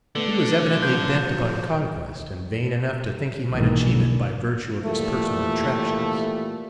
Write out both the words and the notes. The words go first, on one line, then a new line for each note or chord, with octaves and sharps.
He was evidently bent upon conquest, and vain enough to think he might achieve it by virtue of his personal attractions.
D3 A3 B3
F3 F#3 G6
B1 G#2 B2 D#3 E3 A#3
D3
A#2 E3 F3 G3 A3